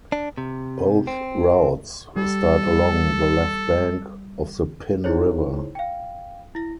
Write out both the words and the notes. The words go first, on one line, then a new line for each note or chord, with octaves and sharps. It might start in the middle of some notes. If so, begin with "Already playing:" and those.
Both routes start along the left bank of the Pin River.
D4
C3
C4
G3 A4
D#4 E4 G#4 C5 C#5
F5 G5
E4 A#6